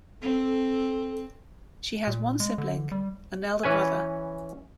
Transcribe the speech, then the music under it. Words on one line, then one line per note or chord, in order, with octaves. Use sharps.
She has one sibling, an elder brother.
C4 A4
A#2
G#3
D3
G3
E3 C#4 B4 G#5